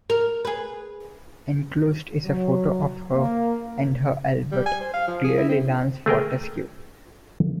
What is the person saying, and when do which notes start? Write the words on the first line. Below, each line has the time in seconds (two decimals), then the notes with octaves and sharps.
Enclosed is a photo of her and her Albert, clearly Lance Fortescue.
0.10 A#4
0.45 G#4 B4
2.24 F#3
3.14 A#3
4.52 G3
4.66 G#5
4.81 C5
4.94 F5
5.08 F3
5.24 G#4
5.38 E4
5.49 C4
6.06 A3 G#4 A#4 G5